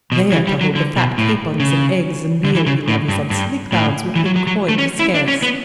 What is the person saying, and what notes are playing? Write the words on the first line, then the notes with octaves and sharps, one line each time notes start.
They are to hold the fat capons and eggs and meal he levies on silly clowns with whom coin is scarce.
B2
E3
G3
F#3
D3
B2
A2
C#3
D3
E3
C#3
A2
G2
G2
A2
E3
F#3
F#3
F#3
A3
C#4
E4
D4
C#4
B3